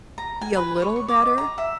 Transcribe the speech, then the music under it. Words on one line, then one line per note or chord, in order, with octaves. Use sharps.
be a little better
A#5
G#5
B4
C#5
C#6
D6
D#5
A#5
E5